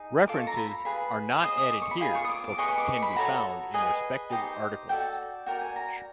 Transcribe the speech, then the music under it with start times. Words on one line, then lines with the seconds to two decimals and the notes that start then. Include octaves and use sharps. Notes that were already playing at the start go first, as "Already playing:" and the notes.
References are not added here but can be found in respective articles.
Already playing: D#4 G#4
0.28 F4 A4 D6
0.37 C#6
0.47 A#5
0.57 B5
0.85 F4 G#4 B4 B5
1.43 G#4 C5 D#5 D#6
1.58 D#6
1.71 D6
1.82 C#6
1.91 B5
2.01 F4 G#4
2.15 C#6
2.24 D#6
2.29 D6
2.44 D6
2.58 G#4 B4 D#5 C#6
2.68 C#6
2.78 D6
2.87 C#6
3.02 B5
3.16 F#4 A4 C#5 A#5
3.74 G#4 B4 D#5 G#5
4.31 D#4 G4 C5 D#5
4.89 F#4 A4 D5 G5
5.47 F#4 A#4 D5 G5
5.61 G#5
5.76 A#5